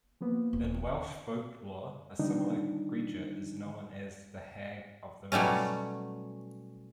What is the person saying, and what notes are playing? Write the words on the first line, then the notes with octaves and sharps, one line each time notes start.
In Welsh folklore, a similar creature is known as the hag of the mist.
F3 A#3 B3
D#1
D3 D#3 F3 G3 D4 D#4
B2 F#3 G3 A3 C#4